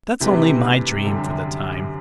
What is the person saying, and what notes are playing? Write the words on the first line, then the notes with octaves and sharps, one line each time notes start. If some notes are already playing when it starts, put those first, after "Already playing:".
That's only my dream for the time.
C3 E3 A3 D4 G4 B4
F#2 D3 G3